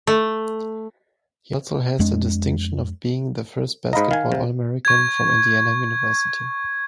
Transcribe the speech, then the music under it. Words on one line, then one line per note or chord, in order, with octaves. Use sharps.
He also has the distinction of being the first basketball All-American from Indiana University.
A3
F2 G#3 D4
G#2 D#5 F5 A#5 B5
D#3 F5 G#5
C3
C#6 G#6